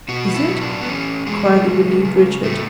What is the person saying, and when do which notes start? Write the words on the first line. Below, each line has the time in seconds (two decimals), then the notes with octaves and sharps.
"Is it?" cried the relieved Richard.
0.08 B2 F#4
0.34 E4
0.49 F#3
0.61 D4
0.81 B3
0.87 E3 C#4
1.27 E3 G#3
1.66 C#3
2.04 C#3
2.43 A2 A3